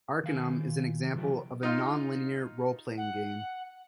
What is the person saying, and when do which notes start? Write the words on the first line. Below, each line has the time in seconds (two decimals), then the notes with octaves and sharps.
"Arcanum" is an example of a non-linear role-playing game.
0.24 D#3 F5 G#5
1.14 C3 E3 F#3 F4 G4
1.63 D#4 F4
2.97 F#5